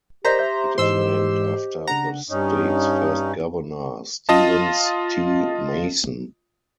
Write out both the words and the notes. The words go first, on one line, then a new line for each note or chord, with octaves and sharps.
It is named after the state's first governor, Stevens T. Mason.
G4 A#4 C5 D5 D#5 A#5 B6
E5 G6
G#2 E3 G#3 C5 D#5 C6 E6
C#3 D4 F#5 A#5
G2 C#4 D#4
F4 D#5 A5